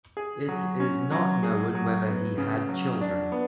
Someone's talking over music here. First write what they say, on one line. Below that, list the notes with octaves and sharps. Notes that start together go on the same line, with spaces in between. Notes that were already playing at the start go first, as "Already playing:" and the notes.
It is not known whether he had children.
G#4
F#3
C#4
F#3
G#4
F#3
B3
C#3
F#3
D4
B3